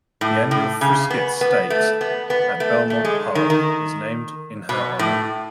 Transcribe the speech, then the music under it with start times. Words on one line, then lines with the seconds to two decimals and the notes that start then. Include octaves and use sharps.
The annual Frizette Stakes at Belmont Park is named in her honor.
0.21 A2
0.51 A2
0.81 C#3
1.10 B3
1.41 B3
1.70 A3
2.01 B3
2.30 B3
2.60 A3
2.90 A3
3.05 G#3
3.35 D#3
3.50 D#3
4.69 B2
4.99 A2